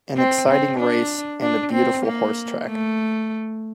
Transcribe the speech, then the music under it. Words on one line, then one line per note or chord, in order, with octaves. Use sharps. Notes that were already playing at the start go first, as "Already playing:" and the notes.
An exciting race and a beautiful horse track.
C4
C4
D4
D4
C4
A#3
A3